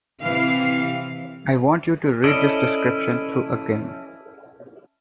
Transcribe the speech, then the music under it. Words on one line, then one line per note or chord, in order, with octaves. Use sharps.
I want you to read this description through again.
C3 E3 F5
C#4 E4 A4 D5 D#5